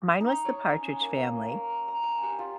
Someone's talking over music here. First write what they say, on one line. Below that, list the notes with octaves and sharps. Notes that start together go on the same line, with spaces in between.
Mine was The Partridge Family.
D#4
C#5
C#4
A#3
F5
A#4
A#5
G#5
G4
F4